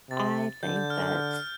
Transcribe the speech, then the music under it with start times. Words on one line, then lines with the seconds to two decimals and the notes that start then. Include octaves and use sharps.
I think that
0.10 C3 A6
0.63 D3 G6
0.76 G6
0.90 F6
1.02 F6
1.15 F6
1.34 F6